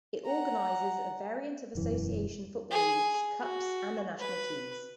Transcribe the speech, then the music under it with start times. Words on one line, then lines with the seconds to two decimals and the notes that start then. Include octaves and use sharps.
It organizes a variant of association football leagues, cups, and the national teams.
0.25 F#5 A#5
1.75 E1 F#2 E3
2.71 G#4
3.41 F#4
4.20 B4